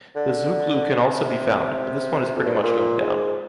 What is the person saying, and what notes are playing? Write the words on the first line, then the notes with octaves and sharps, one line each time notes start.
The zouglou can also be found, but this one is pretty much going down.
D3
C3
F2
G2
G#2
A#2
G#2